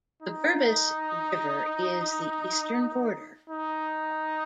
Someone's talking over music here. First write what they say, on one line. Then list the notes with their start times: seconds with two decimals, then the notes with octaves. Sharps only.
The Berbice River is the eastern border.
0.23 D#4
3.50 D#4